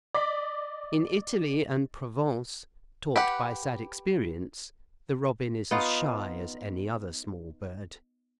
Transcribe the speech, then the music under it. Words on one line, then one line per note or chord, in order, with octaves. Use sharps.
In Italy and Provence, taught by sad experience the robin is as shy as any other small bird.
D5 D#5 D6 A#6 B6
G4 B4 F#5
B3 D#4 F4